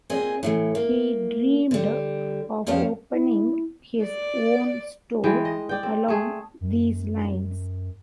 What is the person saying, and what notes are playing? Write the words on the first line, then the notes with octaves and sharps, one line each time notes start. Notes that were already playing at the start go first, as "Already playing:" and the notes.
He dreamed of opening his own store along these lines.
A#2 C4 G#4 D#5 G#5
A2 C#3 E3
A#3
D3 G3
F2 G3 B3 C#4 F5 A5
E4
D5
E3 G#3 G5
D#5
D5 G5
C4
A3 G#4
F#2